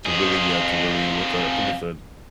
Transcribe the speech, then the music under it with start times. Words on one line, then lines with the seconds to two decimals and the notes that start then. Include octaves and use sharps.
To really, uh, to really, what's that, I think it said
0.06 F2 G#4